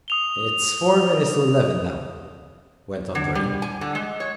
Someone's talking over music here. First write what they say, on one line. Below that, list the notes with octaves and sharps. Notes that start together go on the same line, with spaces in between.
"It's four minutes to eleven now," went on Dorry.
D#6 F7 G7
D3
G3
G#5
D3
G#3
C#5